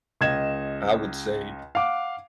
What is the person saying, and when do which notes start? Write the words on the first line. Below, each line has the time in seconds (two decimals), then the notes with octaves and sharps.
I would say,
0.21 C#2 D#5 G#6 E7
1.75 F5 F#5 D6